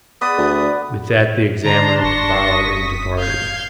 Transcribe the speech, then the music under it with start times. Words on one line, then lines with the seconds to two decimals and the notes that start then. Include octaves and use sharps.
With that the examiner bowed and departed.
0.21 B3 D5 B5 D#6
0.37 D2
1.64 D3 D4 A5 A#5 C6
2.03 F1 C#6 A#6
2.49 D#6 B6
3.18 F5 G6 G#6